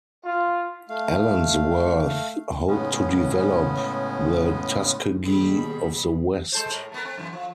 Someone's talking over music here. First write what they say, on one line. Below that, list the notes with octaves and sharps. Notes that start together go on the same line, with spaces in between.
Allensworth hoped to develop the "Tuskegee of the West".
F4
A3 F5
A2 C#3 G#3 B3 C#4
D#2 B2 G3 C4 G#4 B5
G#3 A4 C5
A2 G#4 A#4
A3 B3 A#4
C4
F#2 E3 B3
F3